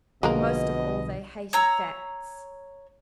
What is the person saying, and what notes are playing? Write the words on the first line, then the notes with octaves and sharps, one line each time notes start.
And most of all they hated facts.
B1 B2 D3 F3 G#3 A#3 A#4 D#5
C#5 A#5 E6